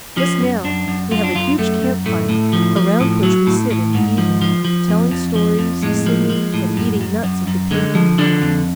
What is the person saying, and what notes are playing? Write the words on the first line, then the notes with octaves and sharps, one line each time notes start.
Just now we have a huge camp fire around which we sit in the evening, telling stories, singing, and eating nuts of the pinon pine.
F3 C#4
F#2
F#2 D4
F#2
F#2 F4
D4
F#2 F4
F#2 A3
F#2
A2 A3
A2
F3
F3
A2
F#3
A2
A2
G#2
F3
F3
F3
F2
F2
F3
F2
A2 G#3
F3
F3
A2
F#2
F#2
F#2
F#2
D3 G#3
F3
D3 D4
F2